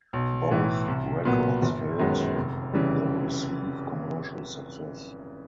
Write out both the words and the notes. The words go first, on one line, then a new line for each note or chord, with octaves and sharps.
Both records failed the receive commercial success.
B1
A2 E3
C2
A#2 F#3 B3
G1
F#2 D#3 G#3 B3
F1
C#3 E3 G3